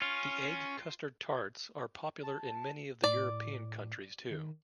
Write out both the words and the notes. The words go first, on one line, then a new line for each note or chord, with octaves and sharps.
The egg custard tarts are popular in many of the European countries too.
C#4 F4
A5
A2 D5
D#3